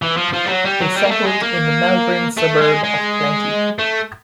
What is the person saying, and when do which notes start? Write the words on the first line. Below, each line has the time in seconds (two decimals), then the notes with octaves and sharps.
They settled in the Melbourne suburb of Plenty.
0.02 E3
0.17 F3
0.33 F3
0.45 G3
0.48 F#3
0.65 G3
0.81 F#3
0.96 G3
1.05 A#3
1.11 A3
1.27 G#3
1.43 A#3
2.37 A3
2.61 G#3
2.84 G#3
3.79 A3